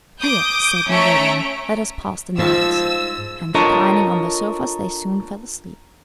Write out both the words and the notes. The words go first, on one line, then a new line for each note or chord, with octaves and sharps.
"Here," said Noureddin, "let us pass the night," and reclining on the sofas they soon fell asleep.
D6 D#6 G6
A3 C#4 E5 A#5 C#6 D7
G#2 F3 G3 F4 E6
D4 F4 A4 A#4 C#5 D#5